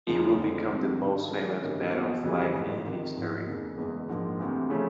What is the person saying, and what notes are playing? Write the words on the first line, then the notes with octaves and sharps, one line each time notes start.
It would become the most famous battle flag in history.
F1 D#2 C#3 F3
F1 F2 D3 F3
F2 C3 D#3 G#3
G#2 D#3 F#3
D2 C#3 E3
G2 D#3 G3 A#3 C#4
E2 B2 F#3
F2 C#3 E3 G3
A1 G#2 E3
C#2 C3 D#3
G#1 G#2 F3 A#3
F1 D#2 C#3
F#1 E2 B2 G#3 B3
A#1 G#2 F3 A#3
D2 C3 E3
C#3 F3 A3 C#4